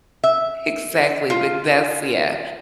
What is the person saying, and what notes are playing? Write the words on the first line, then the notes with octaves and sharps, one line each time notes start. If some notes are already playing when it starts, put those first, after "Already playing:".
Exactly, big that's yeah.
E5
F4